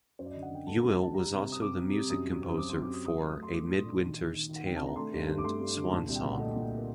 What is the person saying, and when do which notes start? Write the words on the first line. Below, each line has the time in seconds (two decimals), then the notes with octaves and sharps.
Yuill was also the music composer for "A Midwinter's Tale" and "Swan Song".
0.19 F#2 C5
0.26 D5
0.31 D#5
0.35 D3
0.43 F#5
0.51 D3 G5
0.67 A3 A5
0.83 F#2
0.98 D4 A5
1.14 G3 A#5
1.31 C3
1.46 C3
1.52 D#6
1.62 C3 D6
1.78 C3
1.94 G3
2.10 F#2 D#6
2.27 F#3
2.42 C4
2.57 F#3 D6
2.70 C6
2.74 C4
2.82 D6
2.90 F#2 D#6
3.06 F#3 D#6
3.21 A3
3.29 D#6
3.37 A3
3.43 C6
3.53 A3 D6
3.69 A#2
3.86 D4
4.01 D#3
4.17 D#3
4.32 D#3
4.49 D#3
4.56 F#5
4.65 C3 G5
4.76 A5
4.81 D4
4.87 A#5
4.96 A3 C6
5.13 G2
5.28 G2
5.38 D6
5.44 A3 C6
5.60 G2
5.76 D3
5.91 A#2 A5
6.08 C2
6.15 G5
6.24 A#2
6.33 F#5
6.39 A3 D#5
6.56 A#2
6.78 A#4